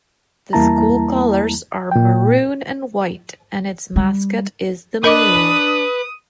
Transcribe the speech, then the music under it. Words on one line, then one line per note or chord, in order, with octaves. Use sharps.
The school colors are maroon and white and its mascot is the mule.
E2 G3 A#3 E4 A5 A#5
A#2 G5
G3
D4 A#4 B4 D#5 D6 D#6